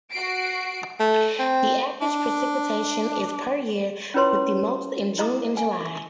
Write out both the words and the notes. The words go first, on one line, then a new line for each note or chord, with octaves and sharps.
The average precipitation is per year, with the most in June and July.
F#4 C7 D7
A3
C4
D4
C#4 E4 F4 B4 C#5 C6
E4 D#5 A#5 D6 D#6
G#5